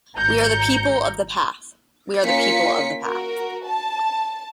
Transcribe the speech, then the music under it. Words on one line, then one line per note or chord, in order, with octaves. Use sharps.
We are the people of the path; we are the people of the path.
G#1 A#5 G6 C#7
A#3 C#4 F4 B6 C#7
F#4 A#4
A5